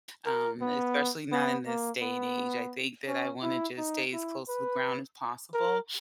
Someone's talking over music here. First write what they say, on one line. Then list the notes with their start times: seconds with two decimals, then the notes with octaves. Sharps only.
um, especially not in this day and age, I think that I wanna just stay as close to the ground as possible,
0.26 A#4
0.61 B3
1.32 B3
1.67 A#3
2.02 B3
3.08 C#4
3.42 E4
3.78 D#4
4.13 E4
4.49 B4
5.54 A#4